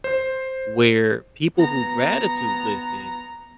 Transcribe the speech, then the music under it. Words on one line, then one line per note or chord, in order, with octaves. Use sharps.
where people who gratitude listed
C5
B3 A#5